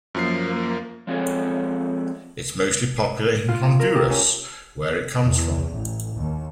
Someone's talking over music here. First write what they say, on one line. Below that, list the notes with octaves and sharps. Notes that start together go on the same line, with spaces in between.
It's mostly popular in Honduras, where it comes from.
F#2 F3 A#3 C7
F3 G#3 C4 G#4 A4 C#5
F4
C4
A#4
G4
C#4
E2
A1
D#2